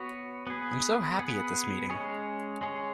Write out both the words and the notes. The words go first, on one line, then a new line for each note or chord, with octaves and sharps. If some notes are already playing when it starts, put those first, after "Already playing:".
I'm so happy at this meeting!
Already playing: B3 F#4 C#5
B3 G#4 B4
B3 G#4 B4
G#3 C#4 G#4 C#5
G#3 C#4 G#4 C#5